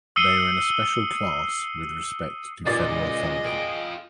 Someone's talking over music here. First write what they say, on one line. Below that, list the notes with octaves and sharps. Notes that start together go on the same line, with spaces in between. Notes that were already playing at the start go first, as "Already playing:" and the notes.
They are in a special class with respect to federal funding.
D#6 E6 C7 C#7 D#7 G7
C#2 A#2 G#4 D5 D#5 A6
F4 G5